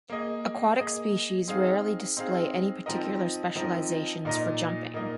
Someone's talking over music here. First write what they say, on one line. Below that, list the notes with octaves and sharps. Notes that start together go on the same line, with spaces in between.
Aquatic species rarely display any particular specializations for jumping.
A#3 G#4 D#5
A#3 G#4 D#5
C4 D#4 G#4 F5
C4 D#4 G#4 F5
F3 C4 D#4 A#4 D#5
F3 C4 D#4 A#4 D#5
A#2 A#3 D#4 A#4 D#5
A#2 A#3 D#4 A#4 D#5